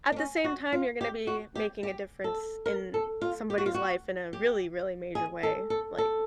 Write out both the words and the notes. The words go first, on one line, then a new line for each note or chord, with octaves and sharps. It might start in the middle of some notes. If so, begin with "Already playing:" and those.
At the same time, you're gonna be making a difference in somebody's life in a really, really major way, like,
D4
C#4
F#4
F4
G4
F#4
G4
G4
A4
A#4
A4
F4
G4
F#4
F4
F#4
G4
G#4
A4
A4
A4